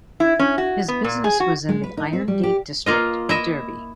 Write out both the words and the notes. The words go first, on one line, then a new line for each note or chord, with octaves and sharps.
His business was in the Irongate district of Derby.
E4
C#4
F#4
B3
A#2
G#4
F#4
G#3
B4
D#4
C4
G3
G4
A#3 F4 D#5
E4 D#5 E5